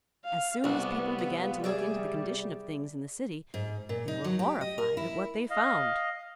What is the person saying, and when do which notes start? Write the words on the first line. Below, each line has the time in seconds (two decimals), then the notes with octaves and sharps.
As soon as people began to look into the condition of things in the city they were horrified at what they found.
0.24 F5
0.64 C2 B3 D4
1.19 F4
1.64 G3 G#4 D5 E5
3.54 G#2
3.89 A#2
4.08 D#4
4.24 F#3
4.39 G4
4.61 D#5
4.78 A#4
4.97 E4
5.50 D#5 F5